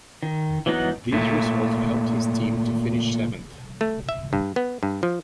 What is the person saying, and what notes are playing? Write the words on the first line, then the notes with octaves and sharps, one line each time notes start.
This result helped his team to finish seventh.
D#3
E3 F#3 B3 D#4 F#6
A#2 A3
A3
E5
G2
B3
G2
F3